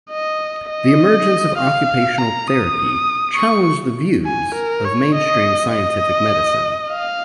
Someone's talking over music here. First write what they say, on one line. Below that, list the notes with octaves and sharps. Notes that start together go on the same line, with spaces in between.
The emergence of occupational therapy challenged the views of mainstream scientific medicine.
D#5
D#5
F5
A#5
D#6
C#6
G#5
A#4
C#5
D#5
D#5
F5